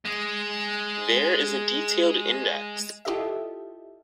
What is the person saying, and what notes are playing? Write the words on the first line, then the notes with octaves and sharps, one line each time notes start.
There is a detailed index.
G#3 G#4
E4 F4 G4 A4 D#5 E5